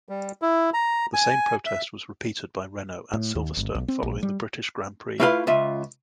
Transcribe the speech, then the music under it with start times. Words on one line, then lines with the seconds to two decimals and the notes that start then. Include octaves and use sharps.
The same protest was repeated by Renault at Silverstone following the British Grand Prix.
0.09 G3
0.42 E4
0.74 A#5
1.14 G#5
1.66 E5
3.13 A2
3.35 D#2
3.57 G1
3.75 B1
3.88 C4
4.03 A#1
4.23 G3
5.20 A3 E4 F4 B4 F5 B5
5.47 C#2 F4 E5